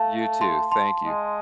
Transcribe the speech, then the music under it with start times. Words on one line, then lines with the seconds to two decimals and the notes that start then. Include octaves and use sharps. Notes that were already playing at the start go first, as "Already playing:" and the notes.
You too, thank you.
Already playing: A3 F5 A5
0.41 A5 C6
0.72 A5 C6
1.04 G#3